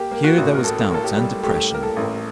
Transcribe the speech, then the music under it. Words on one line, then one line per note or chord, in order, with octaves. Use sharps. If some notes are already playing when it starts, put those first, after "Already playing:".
Here there was doubt and depression.
Already playing: A#3 G4
A#3
F#4
A1
A#4
A2 A4
A#3 A4
G4
G3
A2 G4
A#3 A#4
A4
A1